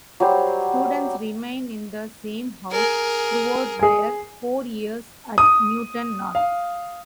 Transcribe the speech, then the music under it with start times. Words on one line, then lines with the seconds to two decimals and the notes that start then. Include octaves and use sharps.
Students remain in the same house throughout their four years at Newton North.
0.20 F#3 G3 C5
2.71 G#4 A#4
3.79 G#4 G#5
5.38 D#6
6.35 F5